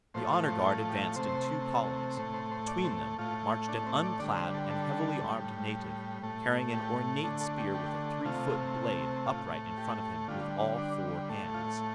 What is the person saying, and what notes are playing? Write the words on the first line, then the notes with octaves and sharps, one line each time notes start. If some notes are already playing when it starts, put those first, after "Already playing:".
The honor-guard advanced in two columns; between them marched an unclad and heavily armed native carrying an ornate spear with a three-foot blade upright in front of him with all four hands.
A2 F3 A3 C5
C5
C5
A4
G4
C3 A3 C5
A2 A3 C5
C5
C5
D5
C5
A2 A3 F4
D4
C4
D5
D3 G3 D5
C5
A4
A4
A2 G3
A2 A3
G4
D3 A3 A4
A4
G4
G4
C3 A3 F4
A2 A3 F4
G4
D3 G3 F4
D4
A2 A3
F4